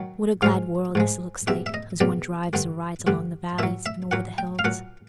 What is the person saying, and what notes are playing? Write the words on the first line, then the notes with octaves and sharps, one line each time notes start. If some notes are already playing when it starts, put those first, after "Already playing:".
What a glad world this looks like, as one drives or rides along the valleys and over the hills!
Already playing: D#3 F#3
G#2 F3 G#3 F5
G#2 F3 G#3
E2 B2 G3 E5
E5
D#5
E2 B2 G3 D5
G2 D3 G3
G2 D3 G3
A#2 F#3 E5
E5
A#2 F#3 F#5
G5
F5
A#2 F#3 F#5